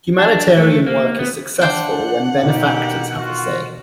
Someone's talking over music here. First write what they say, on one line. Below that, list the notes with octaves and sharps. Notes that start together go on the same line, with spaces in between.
Humanitarian work is successful when benefactors have a say.
D4
A3
A#3
B3
D4 C5 F#5 G5
B2 D#3 A#3 G4
F4 F#4